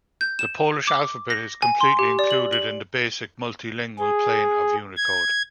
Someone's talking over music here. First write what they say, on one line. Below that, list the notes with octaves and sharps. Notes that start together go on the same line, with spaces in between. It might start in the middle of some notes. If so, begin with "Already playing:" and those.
The Polish alphabet is completely included in the Basic Multilingual Plane of Unicode.
G6
E7
D6
A#6
G#5
C6
G4
D5
F#7
F#7
G#4
G#6